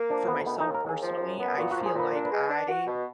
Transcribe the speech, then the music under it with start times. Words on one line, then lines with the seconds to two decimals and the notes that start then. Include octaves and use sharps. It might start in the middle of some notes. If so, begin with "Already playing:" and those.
for myself personally, I feel like I
Already playing: A#3
0.10 F3 D4
0.28 D2 B3
0.46 D#3 B3
0.60 D#4
0.66 D#2
0.74 A#4
0.83 D#2
0.89 G#4
1.03 F3
1.21 F#2
1.39 B3
1.57 A#2 F#4
1.71 F3 F#4
1.86 G#4
1.95 A#2 B4
2.14 D4
2.25 B4
2.31 G#3
2.50 D4
2.69 F#4
2.87 B2